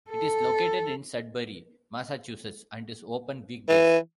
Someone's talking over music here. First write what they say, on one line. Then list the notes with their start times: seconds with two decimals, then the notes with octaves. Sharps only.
It is located in Sudbury, Massachusetts and is open weekdays.
0.11 A4
3.69 E3